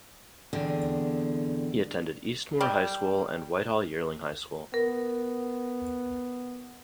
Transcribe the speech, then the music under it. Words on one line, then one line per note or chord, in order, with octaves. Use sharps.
He attended Eastmoor High School and Whitehall-Yearling High School.
E2 B2 D3 C4 G#4 G5
G3
B3 A#4